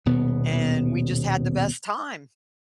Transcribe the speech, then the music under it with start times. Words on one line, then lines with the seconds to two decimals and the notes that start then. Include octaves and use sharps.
and we just had the best time.
0.06 D#1 B2 B3